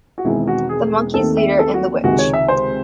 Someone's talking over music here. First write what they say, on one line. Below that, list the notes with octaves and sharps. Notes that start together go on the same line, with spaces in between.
The Monkey's leader and the Witch.
F#4
E1 E2 D#3 G#3 C4 E4
F#4
G#4
D#2 D#3 A3 C4 A4
E5
A4
F#4
C#2 C3 D#3 G#3 F#4
C#5
E5
C5